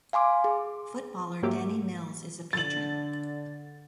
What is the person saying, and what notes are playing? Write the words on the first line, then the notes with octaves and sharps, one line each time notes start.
Footballer Danny Mills is a patron.
F5 G#5 C6 D6
G#4
G#2 F#3 A#3 G4 E5 D6
D3 A6 F#7